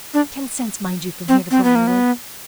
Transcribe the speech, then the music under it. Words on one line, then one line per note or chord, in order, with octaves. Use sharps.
Ten cents, mind you, from here to Briarwood.
D4
C4
C4
B3
A#3
B3